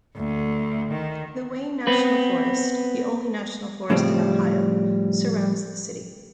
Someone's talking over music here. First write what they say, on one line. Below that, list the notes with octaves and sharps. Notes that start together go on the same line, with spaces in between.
The Wayne National Forest, the only national forest in Ohio, surrounds the city.
D2
D#3
B3 C4 B4
A2 C#3 F3 G3 C4